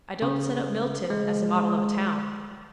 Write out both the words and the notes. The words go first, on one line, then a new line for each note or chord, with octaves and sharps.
'I don't set up Milton as a model of a town.'
C#3
G#3